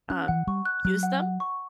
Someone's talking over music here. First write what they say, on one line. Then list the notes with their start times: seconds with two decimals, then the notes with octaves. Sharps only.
um, use them-
0.10 C#4 F#6
0.28 E3 F#5
0.47 G3 C#6
0.65 F#6
0.85 F#3 F#6
1.03 F#5
1.22 F#5
1.40 C#6